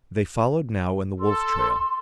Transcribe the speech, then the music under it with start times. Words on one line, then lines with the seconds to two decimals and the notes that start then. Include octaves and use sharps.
They followed now in the wolf trail.
1.20 A4 C6